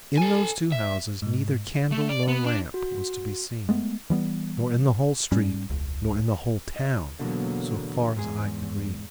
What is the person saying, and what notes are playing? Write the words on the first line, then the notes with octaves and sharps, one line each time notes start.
In those two houses neither candle nor lamp was to be seen; nor in the whole street; nor in the whole town, so far as eye could reach.
A4 G#5
E5
G#2
A3
D5
B3
D4
F#4
G#3 A3 B3
E3 G3 B3
G#2 G3 C#4
E1 C#2
D#5
E2 B2 D3 F#3 A#3 B3
E2 G#2 G#4